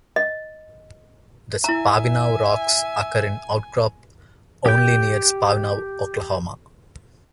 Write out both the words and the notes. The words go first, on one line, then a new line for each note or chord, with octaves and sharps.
The Spavinaw rocks occur in outcrop only near Spavinaw, Oklahoma.
D#5
E4 E5 G#5 A#5
G4 G5